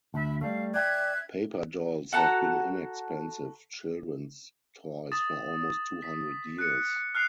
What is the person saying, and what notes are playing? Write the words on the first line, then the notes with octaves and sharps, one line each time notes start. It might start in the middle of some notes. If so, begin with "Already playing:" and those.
Paper dolls have been inexpensive children's toys for almost two hundred years.
D2 E5 B5
G3 A3 F5
D5 E5 G5 F#6 G#6
F#4 A4 F#5 A#5
D#6 A6 E7
B6
F#6 C#7
F6 F#6 C7 F7